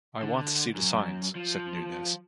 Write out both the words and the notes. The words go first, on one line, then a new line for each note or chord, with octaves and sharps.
"I want to see the signs", said Nunez.
D3
F#2
F3